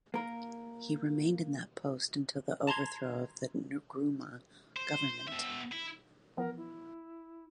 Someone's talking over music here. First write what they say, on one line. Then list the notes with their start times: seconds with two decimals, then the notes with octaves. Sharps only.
He remained in that post until the overthrow of the Nkrumah government.
0.14 A#3 A#4
2.67 A5 A#5 C6 G#6
4.76 C5
5.28 B2 E5
5.72 E4
6.37 E3 F3 B3 A#4
6.57 E4